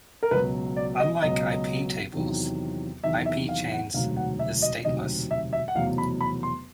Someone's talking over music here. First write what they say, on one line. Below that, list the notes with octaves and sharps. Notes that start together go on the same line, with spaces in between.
Unlike iptables, ipchains is stateless.
A#4
C#2 B2 F#3 B4
D5
D#5
C#2 B2 F#3 D#5
E2 C3 D#3 F#3
E2 C3 D#3 F#3 E5
E5
F5
F#5
E1 D2 C3 D#3 F#3 F5
F#5
E5
D#5
E1 D2 C3 D#3 F#3 D#5
E5
E5
F#5
F1 E2 B2 F#3 F5
B5
B5
C6